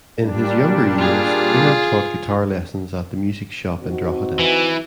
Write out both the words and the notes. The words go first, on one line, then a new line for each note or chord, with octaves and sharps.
In his younger years Eamonn taught guitar lessons at the "Music Shop" in Drogheda.
A#2 G3 D4
F4 G#4
C4 D#4 F#4
E3